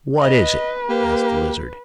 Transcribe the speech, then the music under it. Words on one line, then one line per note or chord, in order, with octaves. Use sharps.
"What is it?" asked the Lizard.
B4 D#5
A#3 G4